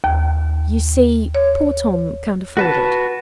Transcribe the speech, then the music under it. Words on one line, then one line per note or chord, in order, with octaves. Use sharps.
"You see, poor Tom can't afford it."
D#2
C#5
F#4 B4 A5